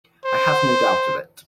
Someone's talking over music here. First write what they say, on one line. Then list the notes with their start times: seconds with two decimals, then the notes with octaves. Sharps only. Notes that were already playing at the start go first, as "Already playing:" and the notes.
I have no doubt of it.
0.25 C5